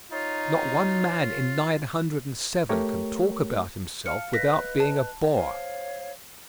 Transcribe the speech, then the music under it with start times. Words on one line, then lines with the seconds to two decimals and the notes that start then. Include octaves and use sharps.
Not one man in nine hundred and seven can talk about himself without being a bore.
0.12 D#4 F4 C#5
2.69 A3 G4 A#4 C#5
4.06 F5 A5 F6 C#7
4.33 B4 D#5 F#6 A#6 B6
4.80 A5
5.34 C5 C#5 F5